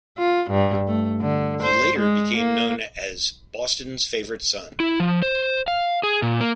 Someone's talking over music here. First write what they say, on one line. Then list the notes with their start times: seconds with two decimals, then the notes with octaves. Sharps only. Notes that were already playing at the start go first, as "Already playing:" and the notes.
He later became known as 'Boston's Favourite Son'.
0.18 F4
0.50 G2
0.87 A3
1.21 D3
1.63 C5
1.99 G#3
2.37 A#3
4.80 E4
5.00 F3
5.22 C5
5.68 F5
6.03 G#4
6.22 A#2
6.41 A#3